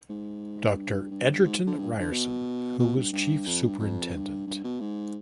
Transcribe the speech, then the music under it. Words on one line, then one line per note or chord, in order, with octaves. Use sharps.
Doctor Egerton Ryerson, who was Chief Superintendent.
G#2
G2
G2
G2
G#2
D3
G2
D3
B2
B2
G2
G2
F2
G2
F2
G2
G2
B2
G#2